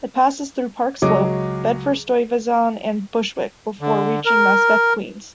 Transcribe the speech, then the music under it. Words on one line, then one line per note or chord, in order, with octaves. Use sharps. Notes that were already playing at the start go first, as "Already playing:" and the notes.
It passes through Park Slope, Bedford-Stuyvesant and Bushwick before reaching Maspeth, Queens.
C#2 F#3 G#4 D#5 D6
D3
A#4